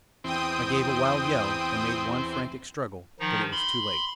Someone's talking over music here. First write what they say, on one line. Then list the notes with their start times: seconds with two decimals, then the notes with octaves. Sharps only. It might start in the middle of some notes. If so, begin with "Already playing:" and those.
I gave a wild yell and made one frantic struggle, but it was too late.
0.24 E2 C4 G5 D#6
3.20 D#3 F3 D#4
3.52 B5 C6